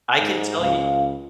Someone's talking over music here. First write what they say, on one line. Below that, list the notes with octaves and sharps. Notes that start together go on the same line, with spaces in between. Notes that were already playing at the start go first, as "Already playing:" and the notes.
I can tell you
G#2
C#2 F5